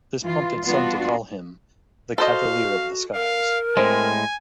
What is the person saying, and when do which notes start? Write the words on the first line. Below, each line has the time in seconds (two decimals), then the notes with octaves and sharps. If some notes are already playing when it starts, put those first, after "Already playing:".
This prompted some to call him, "The Cavalier of the Skies".
0.23 E3 F4
0.65 G3 B3 D4 F4 F#4
2.18 F#4 A4 C5 D#5 F5
3.14 A#4 F5
3.77 A2 G#3 C4 G#5